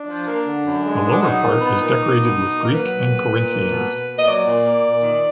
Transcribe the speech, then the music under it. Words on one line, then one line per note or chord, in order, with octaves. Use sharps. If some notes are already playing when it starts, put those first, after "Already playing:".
The lower part is decorated with Greek and Corinthians.
Already playing: D4
F3
A#3
D3
F#2
G#3
B3
D4
F#3 D#4
A#2
B3
A#2
A#3
B2
B2
A#3
A#4
F#3 B4
A#2
B3
A#2
A#3
B2
B2
A#3
D#5
F#3 D5
A#2
A#3
A#2
D#3